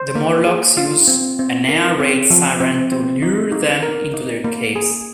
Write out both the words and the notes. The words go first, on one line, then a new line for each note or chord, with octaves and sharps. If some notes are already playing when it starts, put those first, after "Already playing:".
The Morlocks use an air raid siren to lure them into their caves.
Already playing: C5
A#3
G#4
F4
C4
C4
A#4
C4
F3
C4
C4
D#4
D#4
A#4
D#4
A#3
G#4